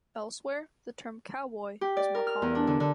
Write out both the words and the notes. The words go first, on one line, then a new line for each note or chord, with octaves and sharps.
Elsewhere, the term "cowboy" is more common.
G4
D5
A#4
F6
E2
D4
D3
D3